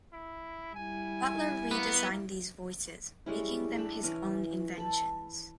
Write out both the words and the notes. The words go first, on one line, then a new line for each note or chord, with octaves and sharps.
Butler redesigned these voices, making them his own inventions.
E4
G3 E4 G#5
A#3 B3
G3 G#3 C#4 E4
D4 G4 E5 B5
E3 C#4 G#5 A#5
A4 B5